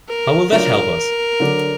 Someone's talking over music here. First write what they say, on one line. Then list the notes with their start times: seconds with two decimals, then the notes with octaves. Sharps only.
How will that help us?
0.09 A#4
0.52 F#3 D4 F4 A#4
1.40 D3 F#3 D4